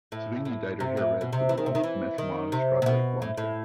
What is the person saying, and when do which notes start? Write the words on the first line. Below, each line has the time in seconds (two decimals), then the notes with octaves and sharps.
Sevigny dyed her hair red for the role to match Lana's strawberry blonde hair.
0.12 A2
0.45 A2
0.80 C3
0.97 A2
1.21 B2
1.33 C3
1.49 E3
1.58 D#3
1.66 C3
1.75 D#3
1.84 E3
2.18 D#3
2.52 C3
2.82 C3
2.86 B2
3.22 A2
3.37 A2